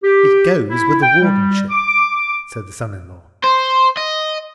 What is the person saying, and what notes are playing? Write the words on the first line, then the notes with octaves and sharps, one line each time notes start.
"It goes with the wardenship," said the son-in-law.
G4
E4
G5
G3
D6
C5
D#5